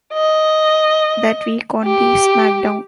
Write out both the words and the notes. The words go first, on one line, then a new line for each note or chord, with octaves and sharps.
That week, on the SmackDown!
D#5
G4